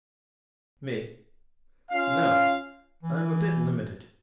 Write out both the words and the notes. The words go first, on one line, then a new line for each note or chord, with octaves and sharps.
ME: No. I'm a bit limited.
C#4 F4 F5
E3